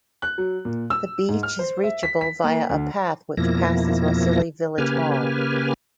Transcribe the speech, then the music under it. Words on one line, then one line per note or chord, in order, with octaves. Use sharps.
The beach is reachable via a path which passes Rhossili village hall.
F#6
F#3
A#2
E6
G#2
F6
C5
E5
B6
B6
A#3
D2
F2 B2 F3 A#3 E4 A#6
C#3 A#3 G4 B4 G#5 F6